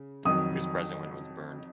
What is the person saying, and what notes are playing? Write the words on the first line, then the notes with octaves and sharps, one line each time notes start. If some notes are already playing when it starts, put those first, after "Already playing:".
He was present when it was burned.
Already playing: C#3
F2 D#3 F#3 D#6